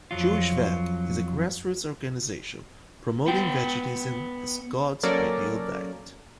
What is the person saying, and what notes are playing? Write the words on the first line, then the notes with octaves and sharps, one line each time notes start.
Jewish Veg is a grassroots organization promoting veganism as "God's ideal diet".
F2 F#3 F4
B3 G5
F#3 A#3 C#4 A4 A#4 D5